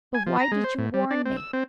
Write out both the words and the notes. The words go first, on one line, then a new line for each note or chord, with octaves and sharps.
But why did you warn me?
G#5
F3
A#5
G#3
C5
A2
G3
D4
C4
E6
C4